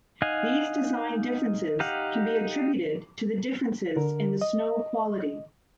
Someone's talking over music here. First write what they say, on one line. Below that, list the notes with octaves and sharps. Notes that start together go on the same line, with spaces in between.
These design differences can be attributed to the differences in the snow quality.
D#4 D#5 F5 F#5 G#5
D#4 G4 F5 F#5
D3 A#4
D#5